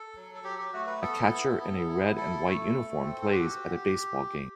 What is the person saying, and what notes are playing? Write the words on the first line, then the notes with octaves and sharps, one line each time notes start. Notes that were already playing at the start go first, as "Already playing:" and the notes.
A catcher in a red and white uniform plays at a baseball game.
Already playing: A4
F#3
A4
F#3 G4
G4
A3 F#4
B4
B3 A4
E4
B3
E4
E4 A4
A3
A3
C4
A4
F#4 G4